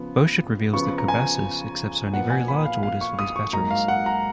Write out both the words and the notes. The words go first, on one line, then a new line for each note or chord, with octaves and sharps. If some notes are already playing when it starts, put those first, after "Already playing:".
Boschert reveals that Cobasys accepts only very large orders for these batteries.
Already playing: C#3 F3 B3
C#3 F3 B3 C#6
A#5
G#5
A#2 F3 B3 F#5
G#5
B5
F5
F5
C#6
D#6
C#6
G#2 F#3 A#3 A#5
F5
F#5
A#5